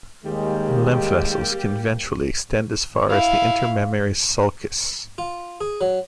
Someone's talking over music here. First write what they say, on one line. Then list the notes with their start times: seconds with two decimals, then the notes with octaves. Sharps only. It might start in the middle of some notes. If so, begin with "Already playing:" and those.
Lymph vessels can ventrally extend as far as the intermammary sulcus.
0.25 D#2 D#3 G3 G#3 A#3 G4
3.10 E4 F5
5.18 F4
5.61 G#4
5.81 F#3